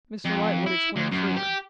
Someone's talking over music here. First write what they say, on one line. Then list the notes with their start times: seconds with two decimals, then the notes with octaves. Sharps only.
Mr Lightwood explained further.
0.25 F2
0.66 E4
0.96 D2
1.12 F#2
1.37 G4